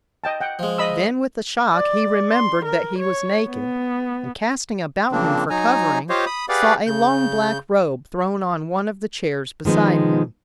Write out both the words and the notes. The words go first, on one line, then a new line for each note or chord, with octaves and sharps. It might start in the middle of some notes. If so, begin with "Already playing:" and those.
Then with a shock he remembered that he was naked, and casting about him for covering, saw a long black robe thrown on one of the chairs beside him.
D#5 G5 A5
F#5 G5
F3 G#3
D#5 B5 E6
D5
C6
A#4
C#5
B3
C#3 F3 A#3 C4 D4
F#3 D#4 G#5 A#5
F4 G4 C5 C#5 D#5 F5
B5 D#6
G4 G#4 B4 D5 F5 F#5
C#3 G6
D#3 F3 G#3 B3 D#4